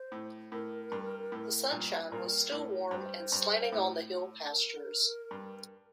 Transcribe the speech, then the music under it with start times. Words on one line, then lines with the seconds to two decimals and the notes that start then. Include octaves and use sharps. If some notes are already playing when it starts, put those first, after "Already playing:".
The sunshine was still warm and slanting on the hill pastures.
Already playing: C5
0.12 A2
0.52 A2 A#4
0.92 G2
1.32 A2
1.71 G2 A#2
2.12 G2 A#2 A#4
2.52 A2
2.91 G2 C5
3.32 G2
3.72 A2
4.51 A#4
5.31 G2